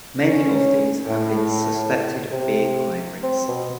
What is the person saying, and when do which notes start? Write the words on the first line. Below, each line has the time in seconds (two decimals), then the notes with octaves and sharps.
Many of these have been suspected of being hybrids.
0.19 C#4
1.06 A2
2.32 C3
3.23 C4
3.48 B2